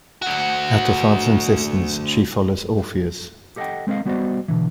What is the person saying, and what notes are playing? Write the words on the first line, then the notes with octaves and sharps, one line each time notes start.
At her father's insistence, she follows Orpheus.
D2 F#4
G4 A4 D#5 E5 F#5 G5
G#3 C4 A#4 D#5 F5
G3 B3 F#4 C5 D5 D#5
B2 D3 E3